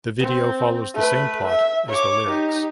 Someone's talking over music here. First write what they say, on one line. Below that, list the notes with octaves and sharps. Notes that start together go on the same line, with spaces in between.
The video follows the same plot as the lyrics.
C4
A3 B4
E5
C#5 D6
D#4 G4